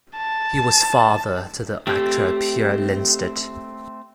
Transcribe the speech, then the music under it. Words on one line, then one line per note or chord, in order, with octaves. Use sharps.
He was father to the actor Pierre Lindstedt.
A5
A3 C4 G4